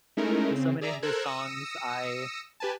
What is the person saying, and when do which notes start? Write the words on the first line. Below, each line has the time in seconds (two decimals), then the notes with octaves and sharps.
So many of his songs, I
0.17 G#3 A3 C#4 D#4 E4 A#4
0.51 C#3 C4
0.81 G#4 D5 E5 A#5
1.02 A4 A#4 C5 E6 F#6 G#6
1.24 D#6 E6 A#6 C#7
2.60 G4 B4 G#5 A5